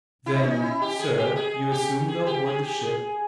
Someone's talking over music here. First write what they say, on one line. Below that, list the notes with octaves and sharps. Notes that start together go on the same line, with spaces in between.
"Then, sir, you assume they'll board the ship?"
E4
D#4
C#4
D#4
E4
G4
G#4
G4
G#4
G4
G#4
G4
G#4
G4
G#4